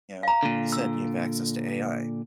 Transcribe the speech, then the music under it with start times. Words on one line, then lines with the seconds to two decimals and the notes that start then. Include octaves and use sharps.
you know, like you said, you have access to AI.
0.23 F5 A#5
0.43 A#2 D3
0.72 E6